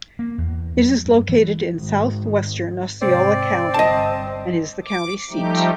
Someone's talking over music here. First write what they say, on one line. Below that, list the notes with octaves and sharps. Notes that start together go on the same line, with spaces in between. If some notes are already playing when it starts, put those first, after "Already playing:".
It is located in southwestern Osceola County and is the county seat.
A#3
E2
F#3
G2
E3
G#1 D#3
G#2 C3 C4 D5
G1 D#5 A5
D6
F3 G3 A3 D#4 G4